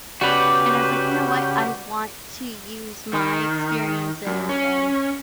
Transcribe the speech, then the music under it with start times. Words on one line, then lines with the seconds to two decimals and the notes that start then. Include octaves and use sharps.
And I was like, "You know what, I want to use my experiences and
0.21 C#3 F#4 G4 B4 D5
3.13 D#3
4.27 F#2
4.49 C#4